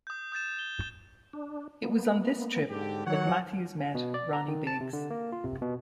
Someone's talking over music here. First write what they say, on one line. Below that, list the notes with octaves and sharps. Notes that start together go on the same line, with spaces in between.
It was on this trip that Matthews met Ronnie Biggs.
D#6 G6
D#6 G6 A6 E7
G7
D4
A#3 B3
G#2 D3 G4
D#3 F#3 C#5 F#5
B2
D5
A#5
D#3
A5
C3
D3
A#3
F4
C3
B2